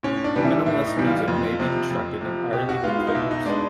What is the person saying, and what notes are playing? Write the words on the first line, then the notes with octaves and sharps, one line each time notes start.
Minimalist music may be constructed entirely from figures.
A2 C#4
D4
E3 G3 B3
E4
A2 E4
D#4
E3 G3 B3
F4
F2
C3 F3
F2
C3 F3
B2 G4
F#4
G#3 B3 F4
F4
D#4
B2 E4
D#4
G#3 B3 D4